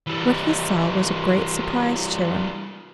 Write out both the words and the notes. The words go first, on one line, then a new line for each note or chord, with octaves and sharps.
What he saw was a great surprise to him.
E3 G3